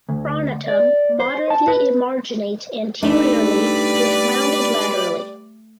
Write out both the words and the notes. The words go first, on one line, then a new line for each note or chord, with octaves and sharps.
Pronotum moderately emarginate anteriorly with rounded laterally.
D2
D5
C5
A5
B4
G3 A3 D4 D#4 B4 D5